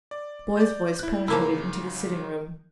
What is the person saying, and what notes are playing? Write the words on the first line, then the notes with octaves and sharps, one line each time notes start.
A boy's voice penetrated into the sitting-room.
D5
D5 G6
E4 F#6
G#2 C#3 F3 A#3 E4